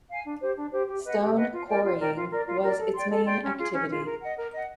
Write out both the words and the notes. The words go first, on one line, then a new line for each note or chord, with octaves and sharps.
Stone quarrying was its main activity.
F5 G#5
D4
G4 C5
D4
G4 C5
G4
B4 D#5 F#5
G4
B4 D#5 F#5
F4
A#4 D5 G5
F4
A#4 D5 G5
F4
A#4 D5
F4
A#4 D5
A4
D5 G5 C6
A4
D5 G5 C6
C#4
F4 G#4
C#4
F4 G#4
A#4
D#5 F#5
A#4
D#5 F#5